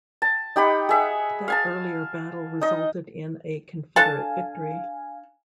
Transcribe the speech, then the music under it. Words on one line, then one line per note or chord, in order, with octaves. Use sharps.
That earlier battle resulted in a Confederate victory.
A5
D#4 G4 F#5 B5
G#4 E5 F#5
F5 G#5 A5
D#4 D#5
D4 A4 F5 G#5 A5